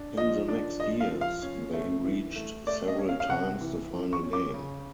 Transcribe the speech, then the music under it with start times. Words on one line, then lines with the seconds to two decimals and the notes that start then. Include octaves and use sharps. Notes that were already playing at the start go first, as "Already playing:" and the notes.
In the next years, they reached several times the final game.
Already playing: D4
0.17 F3 D#5
0.48 D4
0.79 F3 D#5
1.00 F5
1.11 F3
1.21 F5
1.42 C#4
1.74 A3
2.04 E3
2.36 A3
2.67 A3 D5
2.88 D#5
2.98 C#4
3.09 F5
3.20 F5
3.29 C3 F#5
3.61 E3
3.92 F3
4.13 C#6
4.23 C#4
4.33 D6
4.54 C#3